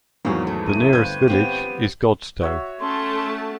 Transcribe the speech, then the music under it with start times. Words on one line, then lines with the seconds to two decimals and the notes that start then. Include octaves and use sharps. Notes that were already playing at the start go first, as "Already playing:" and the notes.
The nearest village is Godstow.
0.25 G#1 E2 F#3 A#3 C#4
0.47 A3
0.67 D#7
0.93 G1 C4 B4 G6 G#6
1.28 B3 C4 G4
2.42 F#4 C#5 E5
2.80 A3 C#4 A5 C6